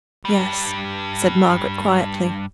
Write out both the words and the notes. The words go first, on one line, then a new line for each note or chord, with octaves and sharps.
'Yes!' said Margaret, quietly.
G2 G3